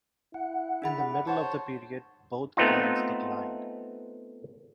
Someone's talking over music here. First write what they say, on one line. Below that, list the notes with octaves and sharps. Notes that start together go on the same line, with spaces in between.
In the middle of the period, both clans declined.
E4 F#5
D4 G#4 B5
C5 C#5 A5 C#6
A3 B3 C4 D#4 F4